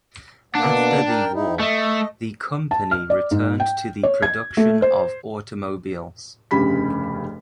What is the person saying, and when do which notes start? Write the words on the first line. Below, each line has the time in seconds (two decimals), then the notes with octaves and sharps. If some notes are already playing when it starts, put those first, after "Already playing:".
After the war, the company returned to the production of automobiles.
0.55 B2 A#3 D4 F#5
1.08 A#4 G5
1.33 D#4 E4
1.60 A3 D#5
2.71 A5
2.91 F6
3.10 D5
3.31 G#2
3.60 G5
4.03 C#5
4.22 G#6
4.57 A3
4.82 C5
6.51 F1 G2 C#3 G3 B5 B6